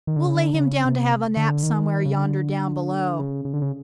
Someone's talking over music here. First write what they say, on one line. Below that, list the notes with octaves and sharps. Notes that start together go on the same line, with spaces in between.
We'll lay him down to have a nap somewhere yonder down below.
D#3
D3
C#3
D3
D3
C#3
C3
D3
D#3
C#3
D3
C#3
C#3
D3
C#3